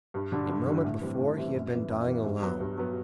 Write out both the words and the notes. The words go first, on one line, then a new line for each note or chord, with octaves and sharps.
A moment before he had been dying alone.
G2
D3 G3 D4
G2
D3 G3 D4
A2
E3 G3 C4 E4
A2
E3 G3 C4 E4
F#2
E3 B3
F#2
E3 B3
G2
F#3 B3
G2
F#3 B3